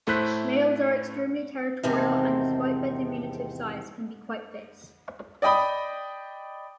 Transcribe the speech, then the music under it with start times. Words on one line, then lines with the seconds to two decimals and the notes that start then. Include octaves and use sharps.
Males are extremely territorial and-despite their diminutive size-can be quite fierce.
0.07 A2 A3 E4 C5 F#6 B6
1.83 E2 G#2 C3 D#3 C4 A4
5.42 D5 D#5 G5 B5 D#6